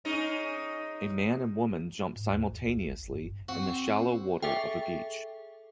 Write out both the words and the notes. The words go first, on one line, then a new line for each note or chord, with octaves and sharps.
A man and woman jump simultaneously in the shallow water of a beach.
G#3 C#4 D#4
G#2
D#2
A1
C#2
F#1
G1
G2
C4 F#4
G#4 A4 E5 G5